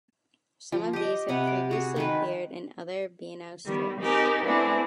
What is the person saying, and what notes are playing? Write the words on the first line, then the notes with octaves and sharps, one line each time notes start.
Some of these had previously appeared in other Beano strips.
F3
G4 D#5
C3 B4 F#5 G#5
D6
F#4 G#4
D#3 G#3 B4
D#3 G3 B3
C4 D#4 G4 G#4 A#4
A3 B3 C4 D4 E4 G#4